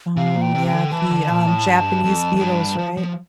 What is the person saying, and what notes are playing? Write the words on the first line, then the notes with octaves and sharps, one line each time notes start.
Oh, yeah, the, um, Japanese beetles, right?
C3 F5
A#2
G5
C3
G5
D3
E3 A5
D3
A#2
A2
G2
F2
F2
G2
F3
F3